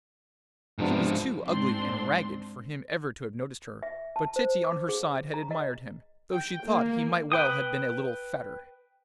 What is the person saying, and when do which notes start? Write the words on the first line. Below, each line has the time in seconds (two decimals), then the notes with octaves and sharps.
She was too ugly and ragged for him ever to have noticed her, but Titty on her side had admired him, though she thought he might well have been a little fatter.
0.78 G#2 C3 F3 B3 D4
1.46 G#2 C4 D4 C6
3.83 E5
4.16 A5
4.36 C5
4.64 D6
4.89 G#4
5.34 A#5
5.51 D#5
6.34 G5
6.66 A#3
7.32 B4 G5 D#6